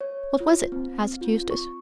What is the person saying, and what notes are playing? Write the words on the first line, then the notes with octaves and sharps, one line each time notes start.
"What was it?" asked Eustace.
C#5
F4
C4
C4
F4
C#6